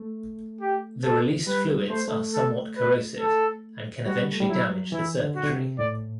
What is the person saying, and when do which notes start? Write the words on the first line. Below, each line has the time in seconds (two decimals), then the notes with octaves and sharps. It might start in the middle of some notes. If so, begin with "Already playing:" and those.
The released fluids are somewhat corrosive and can eventually damage the circuitry.
Already playing: A3
0.61 G4
1.05 A4
1.47 G3 B4
1.90 A3 C5
2.08 A3
2.33 A4
2.77 B4
3.20 A4
4.06 G3 F#4
4.31 A3
4.40 G3
4.49 F#3 E4
4.92 E3 E4
5.22 D3
5.36 F#4
5.44 D3
5.50 C3
5.78 A2 D5